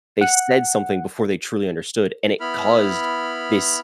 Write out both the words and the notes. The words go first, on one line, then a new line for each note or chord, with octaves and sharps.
They said something before they truly understood, and it caused this
F#5
B3 E4 B5 F6